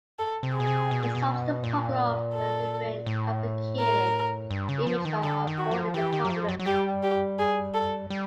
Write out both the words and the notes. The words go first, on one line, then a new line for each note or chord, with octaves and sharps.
It solves the problem of rendering a complicated image by avoiding the problem.
A4
C3
B2 G#4
C3
B2
A#2
B2
A#2
A4
A2
A#4
G2
C#3
F3
D#3
D3 A4
D#3
F#4
F3
E3 G4
D#3
F#3
F3
F#3
F#3
G3 G4
G4
G#4
A4
G3